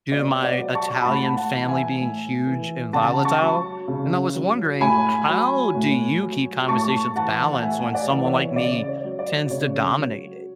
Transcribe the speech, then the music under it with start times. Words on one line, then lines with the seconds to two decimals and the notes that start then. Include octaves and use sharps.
due to my Italian family being huge and volatile. And I was wondering, how do you keep conversations balanced when someone like me tends to dominate it?
0.12 B2 D5
0.43 D5 F#5
0.58 F#3
0.75 A5 C#6
1.01 B5
1.05 A2 F#5 A5
1.36 F#5 A5
1.53 E3
1.68 E5 G#5
2.00 A2
2.47 E3
2.93 C#3 F#5 A5
3.25 A5 C#6
3.40 F#3
3.88 C#3
4.34 F#3
4.81 A2 G#5 B5
5.28 F#3
5.75 A2
6.22 F#3
6.68 A2 A5 C#6
7.16 E3 F#5 A5
7.53 F#5
7.62 A2 E5 G#5
7.94 D5 F#5
8.10 E3
8.25 C#5 E5
8.56 C#3 D5
8.88 C#5
9.04 F#3
9.19 D5
9.50 C#3 C#5
9.98 F#3